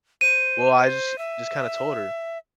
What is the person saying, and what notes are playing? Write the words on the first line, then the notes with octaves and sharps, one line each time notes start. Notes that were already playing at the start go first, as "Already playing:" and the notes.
Well, I just just kinda told her
C5 D#7
C5
E5